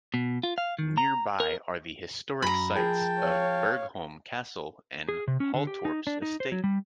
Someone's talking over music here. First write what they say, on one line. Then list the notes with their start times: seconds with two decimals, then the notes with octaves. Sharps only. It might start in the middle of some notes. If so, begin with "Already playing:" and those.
Nearby are the historic sites of Borgholm Castle and Halltorps Estate.
0.14 B2
0.43 F4
0.58 F5
0.79 D#3
0.98 A#5
1.40 A#4
2.42 F#2 A#5 B5
2.75 F3 G#4 A#4 G5 A5
3.19 C#5 F5
5.09 G#4
5.28 C3
5.40 C#4
5.54 D3
5.67 G4
5.85 D#4
6.07 D4
6.22 D#4
6.40 C5
6.52 F#3
6.64 G3